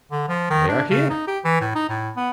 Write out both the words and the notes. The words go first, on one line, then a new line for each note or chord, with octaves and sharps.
"They are here."
D3
F3
D#3
D4
C#3
D#4
G4
E3
A2
D#4
A2
B3